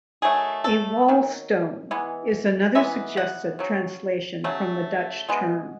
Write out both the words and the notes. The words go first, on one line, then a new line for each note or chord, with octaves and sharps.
A "wall stone" is another suggested translation from the Dutch term.
D#3 F#3 A3 G#4
A4
D#3 F#3
E3 G#3 B3
E3 G#3 B3 E5
F#5
C#3 F#3
C#3 F#3 A3
B2 G#3 B3